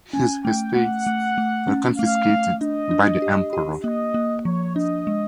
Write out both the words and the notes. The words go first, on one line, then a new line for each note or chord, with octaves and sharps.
His estates were confiscated by the Emperor.
C#4 G#5
A3 G5
A3 F#5
A3
A3
C#4
A3 F5
A3
D4 D#5
D4
G4
G4
A#3 D#5
A#3
F3 C#5
D4 D#5
G#3